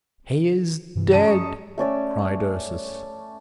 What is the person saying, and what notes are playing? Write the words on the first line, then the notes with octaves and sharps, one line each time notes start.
"He is dead!" cried Ursus.
G2 C3 E3
F#2 A5 D#7
C#6 D#6 C#7
A3 C#4 D5 E6